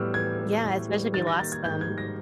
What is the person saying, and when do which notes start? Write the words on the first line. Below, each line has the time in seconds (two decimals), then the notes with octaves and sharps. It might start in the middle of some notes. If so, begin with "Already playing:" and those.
Yeah, especially if you lost them.
Already playing: A2 E3 G3 B3 E6 F6
0.14 E3 G#6
0.39 B3
0.65 A2
0.89 G3
1.14 D#3 A6
1.27 A#6
1.39 A#3 A6
1.52 G#6
1.64 G#2 G6
1.81 G#6
1.90 G3
1.98 A#6